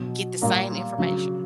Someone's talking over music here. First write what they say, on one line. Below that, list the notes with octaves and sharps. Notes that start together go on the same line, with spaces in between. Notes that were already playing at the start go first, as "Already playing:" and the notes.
get the same information."
Already playing: B2 F#3
A#2 G3 A#3 A#4
C#3 F#3